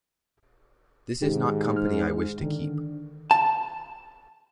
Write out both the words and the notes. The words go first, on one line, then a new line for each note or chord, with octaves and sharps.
This is not company I wish to keep.
G#2 D#3 G4
F6
D3 D#3
A5